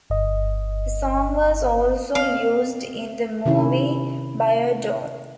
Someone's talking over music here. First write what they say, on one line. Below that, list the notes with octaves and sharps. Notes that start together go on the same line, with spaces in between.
The song was also used in the movie "Bio-Dome".
G1 D#5
C4 D#5 F5
C3 D#3 C#4 E4